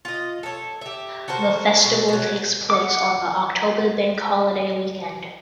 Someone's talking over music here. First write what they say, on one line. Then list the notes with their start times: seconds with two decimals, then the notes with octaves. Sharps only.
The festival takes place on the October Bank Holiday weekend.
0.05 F4 D#5
0.43 A4 C#5
0.81 G4 E5
1.28 F#4 A4 A#4 C5
1.84 B2
2.08 B2 F#3
2.70 F#5 D6